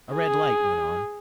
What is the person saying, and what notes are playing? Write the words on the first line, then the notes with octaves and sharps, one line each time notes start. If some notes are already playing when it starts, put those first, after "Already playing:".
A red light went on.
G#4